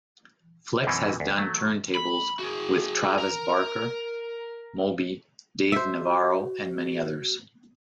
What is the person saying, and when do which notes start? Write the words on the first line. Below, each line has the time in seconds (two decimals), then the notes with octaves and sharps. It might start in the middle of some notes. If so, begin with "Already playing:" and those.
Flex has done turntables with Travis Barker, Moby, Dave Navarro and many others.
0.86 F#2 B2 E3 C4 C#4
1.20 D2
1.38 F#3 A3
1.95 B5
2.39 F#4 G#4
3.18 A#4 A#5
5.72 F#4 C5 E5